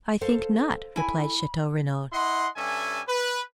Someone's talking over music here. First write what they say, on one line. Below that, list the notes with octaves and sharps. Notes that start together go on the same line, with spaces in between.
"I think not," replied Chateau-Renaud.
A4 C5 F5
E4 G#5 B5
E4 D#5 F#5 C6
G2 G3 C#4 A4 E5 G#5
B4